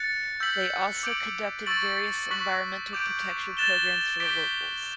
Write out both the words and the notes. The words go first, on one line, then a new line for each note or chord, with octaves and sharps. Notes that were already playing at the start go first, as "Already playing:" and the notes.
They also conducted various environmental protection programs for the locals.
Already playing: F#6 A6 C#7
E6 G6 B6 F#7
D6 G6 D7 F#7
C#6 E6 A6 D7 F#7
C#6 F#6 B6 F#7
D6 G6 D7
F#6 A6 E7 G7
D6 G6 B6 D7 G7